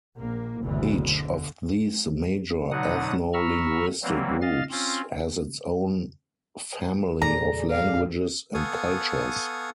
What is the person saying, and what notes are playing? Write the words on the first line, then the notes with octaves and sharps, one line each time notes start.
Each of these major ethno-linguistic groups has its own family of languages and cultures.
A#1 A#3
F#1 D2 B2 E3
D3
B2 D3 F#3 D#4 F#5 D#6
A#5 B5 C#6 E6 F6
E3 F#3 G3 A#3 C4
D#5 F5 F6 A6
C4 C#4 F4
E2 A#2 G#3 G#4 A4 D5 A#5
F5
B3 A4 F5 G#5 C#6 D#6